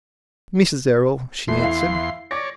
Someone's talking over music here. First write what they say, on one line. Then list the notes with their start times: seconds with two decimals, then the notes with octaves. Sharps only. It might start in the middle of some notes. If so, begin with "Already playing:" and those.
"Mrs. Errol," she answered.
1.48 E2 A3 C6
1.61 E4 F5 C7
2.31 C#5 D5 D6 A#6